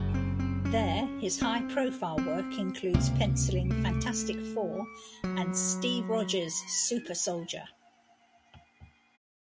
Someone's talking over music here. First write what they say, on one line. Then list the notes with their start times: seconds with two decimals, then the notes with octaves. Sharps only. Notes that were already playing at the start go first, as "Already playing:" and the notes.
There, his high-profile work includes pencilling "Fantastic Four" and" Steve Rogers: Super-Soldier".
Already playing: F#1 F#2 C#3
0.14 C4
0.39 C4
0.65 C#4
1.42 C4
2.18 C4
2.94 C#2 C3 A#3
3.71 A3
5.24 F#3